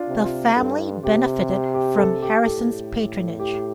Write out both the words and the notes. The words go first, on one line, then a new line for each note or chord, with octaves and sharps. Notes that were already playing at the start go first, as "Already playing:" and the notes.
The family benefited from Harrison's patronage.
Already playing: D4 F4
C3
F4
G2 A4
C3 G4
G4
G4
A4
G4
A2 A4
G4